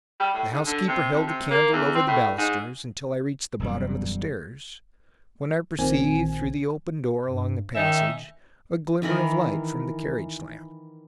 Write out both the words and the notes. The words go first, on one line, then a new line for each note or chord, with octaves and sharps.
The housekeeper held the candle over the balusters until I reached the bottom of the stairs, when I perceived through the open door along the passage a glimmer of light from the carriage lamps.
G3
A2
G#2
D3
C3
F2
C3
A#3
E2
C4
A2
G#2
E1 F#2 G3
A#1 A#2 D#3 C4 G#5
G2
D#3 C#4 D#4 E5
D#3 E3 A#4 B5